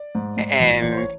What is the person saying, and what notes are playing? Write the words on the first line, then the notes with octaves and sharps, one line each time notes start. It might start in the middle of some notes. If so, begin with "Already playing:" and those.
a and
Already playing: D5
G#2
G#2
A1
A1 D5
C5
C#5